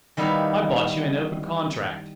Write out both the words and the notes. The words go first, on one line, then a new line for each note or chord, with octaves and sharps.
I bought you in open contract.'
D#3 G3 B3 E4 B4 F5